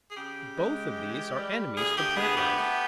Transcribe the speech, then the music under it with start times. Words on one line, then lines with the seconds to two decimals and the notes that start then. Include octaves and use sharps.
Both of these are enemies to plant life.
0.11 G#4
0.16 C#3 G4
0.57 G#3
0.96 E3
1.37 G3
1.77 D2 G#4
1.97 G4
2.17 B3 G#4
2.37 G4
2.57 A3